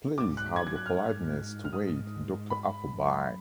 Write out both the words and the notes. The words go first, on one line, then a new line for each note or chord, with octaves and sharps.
Please have the politeness to wait, Dr. Appleby!
G#2 D6
F#6
F#2 G#6
G#6
F#6
F6
G#2
F6
G#2 D#6
B5
F#2